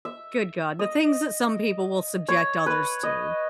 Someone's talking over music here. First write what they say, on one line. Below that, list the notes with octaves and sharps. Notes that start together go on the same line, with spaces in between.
good god, the things that some people will subject others to.
E5
D#5
C#5
B4
D#5